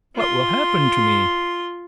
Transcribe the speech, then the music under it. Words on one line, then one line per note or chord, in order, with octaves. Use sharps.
What will happen to me?
F4 C6